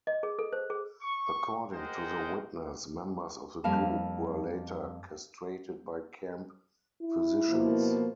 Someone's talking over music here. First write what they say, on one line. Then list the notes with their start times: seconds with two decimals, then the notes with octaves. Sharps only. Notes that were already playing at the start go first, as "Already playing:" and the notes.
According to the witness, members of the group were later castrated by camp physicians.
0.07 D#5
0.23 G#4
0.39 A4
0.53 C5
0.70 G#4
1.02 C#6
1.72 G#4 A#4 C5 D#5 F#5 G5
3.64 F2 G3 A#3 F5 A5
7.03 E4
7.49 B2 F3 A#3